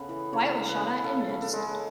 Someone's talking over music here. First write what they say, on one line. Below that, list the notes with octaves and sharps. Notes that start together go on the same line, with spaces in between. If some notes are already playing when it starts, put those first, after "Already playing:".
Wyatt was shot at and missed.
Already playing: C#3 B3 A4
E3
C#3 C#5
C#3
B4
C#3
C#3 A4
C#3
A4
G#3